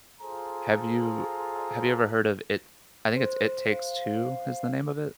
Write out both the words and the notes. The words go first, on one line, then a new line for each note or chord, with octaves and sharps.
Have you uh, have you ever heard of it I think it's It Takes Two, is the name of it?
F4 G#4 A4 C5 A#5
C5
F5